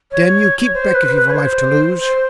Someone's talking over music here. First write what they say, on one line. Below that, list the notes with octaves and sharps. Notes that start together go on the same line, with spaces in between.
Damn you, keep back, if you've a life to lose!'
C#5
C5
B4
B4
C#5
C5
C5